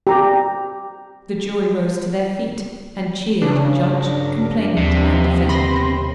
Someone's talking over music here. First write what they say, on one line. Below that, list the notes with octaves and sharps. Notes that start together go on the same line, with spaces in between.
The jury rose to their feet and cheered judge, complainant, and defendant.
G4 A#5
C#3 D4
G2 F#3 A#4
D#2 C3 F3 B3
B5 C6 A#6